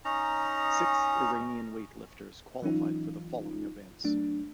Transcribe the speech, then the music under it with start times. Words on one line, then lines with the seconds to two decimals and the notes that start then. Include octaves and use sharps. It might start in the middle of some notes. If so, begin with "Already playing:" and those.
Six Iranian weightlifters qualified for the following events.
0.05 C#4 D#4 A#5
2.62 E3 F#3 C#4 D#4 F4
4.04 F#3 A3 D4